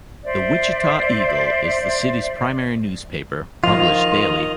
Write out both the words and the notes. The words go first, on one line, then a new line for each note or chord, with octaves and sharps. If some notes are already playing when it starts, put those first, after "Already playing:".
"The Wichita Eagle" is the city's primary newspaper, published daily.
C5 D5 E5
D#3 F3 F4 D#5 F7